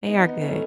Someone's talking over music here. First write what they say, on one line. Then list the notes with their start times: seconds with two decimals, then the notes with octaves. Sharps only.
They are good.
0.06 B3 D#4
0.24 B3 D#4
0.41 A3 C#4